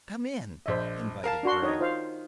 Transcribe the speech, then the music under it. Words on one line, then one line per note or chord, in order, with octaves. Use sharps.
"Come in," invited Gregg.
A#1 C5 D#5 E5
A#4 F5 A5
D4 F#4 C6
D#3 D#4 C#5 D#5
F4 C5 F5